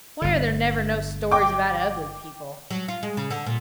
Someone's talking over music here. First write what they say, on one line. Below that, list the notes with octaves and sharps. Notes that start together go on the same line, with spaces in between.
"Why are there never no stories about ugly people?"
G1 D3
G5 D6
F#3
F4
G#3
C#3
D3
A#2